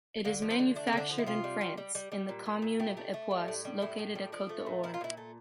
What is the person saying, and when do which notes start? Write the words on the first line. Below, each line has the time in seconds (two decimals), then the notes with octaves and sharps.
It is manufactured in France, in the commune of Epoisses located at Côte-d’Or.
0.25 D3 A#3
0.42 F3
0.50 C4
0.59 D3
0.76 A3 D4
0.87 C4
0.93 D3 D4
1.10 F3
1.18 E4
1.26 C3 F4
1.44 G3
1.61 G3
1.78 G3
1.95 G3
2.12 G3
2.29 A#2
2.46 A#2
2.62 A#2
2.79 A3 G4
2.97 A3
3.14 A3
3.31 G3
3.48 A2
3.65 G3
3.81 A2 E4
3.99 A2
4.15 G3
4.32 F3 D4
4.49 A3
4.66 A#2
4.84 A#2 E4
4.94 F4
5.01 A#2 E4
5.17 A3